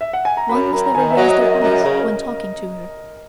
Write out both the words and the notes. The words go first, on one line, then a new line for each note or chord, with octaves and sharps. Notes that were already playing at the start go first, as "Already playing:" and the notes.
One must never raise their eyes when talking to her.
E5
F#5
G#5
A#5
F#2 B5
F#2 A#5
A#5
D#3 G#5
E5
F#3 D#5
D#5
F#2 E5
F#2 A#5
C#3 D#5
A#4